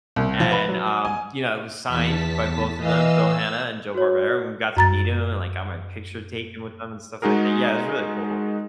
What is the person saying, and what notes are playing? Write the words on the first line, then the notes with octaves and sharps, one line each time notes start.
and, um, you know, it was signed by both of them, Bill Hanna and Joe Barbera, and we got to meet 'em, and I got my picture taken with them, and stuff like that. Yeah, it was really cool.
C2
F3
B4
F#3
G#5
E2 A5 B6
E3 D#5 F5 E6
E6
F#4 C#5
F#2 A#5 A6
G#3 D#4 F#4 G#4 A#4